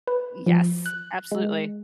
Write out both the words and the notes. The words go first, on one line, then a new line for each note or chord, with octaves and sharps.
Yes, absolutely.
B4
F3
F#6
G#3